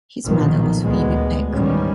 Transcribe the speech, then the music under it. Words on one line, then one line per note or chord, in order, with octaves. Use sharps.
His mother was Phebe Peck.
B1 A#2 D#3 F3
D2 G#3 B3
B1 G#2 D#3 E3 G3 C#4